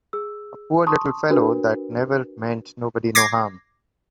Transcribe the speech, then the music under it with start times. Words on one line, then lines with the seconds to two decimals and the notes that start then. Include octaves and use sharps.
A poor little fellow that never meant nobody no harm!
0.13 G#4 E6
0.87 A5 C6 C#6 D#6
1.30 D4 F#4 A#4 B4
3.15 D6 G#6 A#6 C7